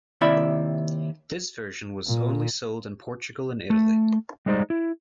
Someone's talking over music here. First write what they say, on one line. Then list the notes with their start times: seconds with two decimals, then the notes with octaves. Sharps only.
This version was only sold in Portugal and Italy.
0.21 D#2 C3 E4 D5 E5 B5
2.07 A#2
3.70 A3
4.46 G3 G#3 D#4 C5 D5
4.70 E4